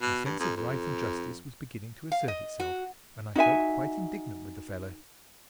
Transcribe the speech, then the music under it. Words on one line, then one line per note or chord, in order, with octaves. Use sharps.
My sense of right and justice was beginning to assert itself, and I felt quite indignant with the fellow.
B2
G2
F2
F2
F5
D#5
F#4
D#4 F#4 E5 G#5